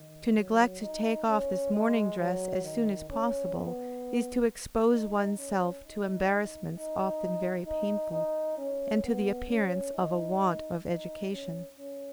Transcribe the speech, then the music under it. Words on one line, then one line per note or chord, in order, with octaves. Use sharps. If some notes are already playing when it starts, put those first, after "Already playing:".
To neglect to take off this morning dress as soon as possible, is to expose one's self to embarrassments often very painful, and to the appearance of a want of education.
Already playing: D#3
F#3
D#4
C#4
G#3
F#3
D#3
C#4
B3
D#4
C#4
D#4
D#4
D#4
D#4
C#4
B3
C#4
D#4
D#4
C#4
C#4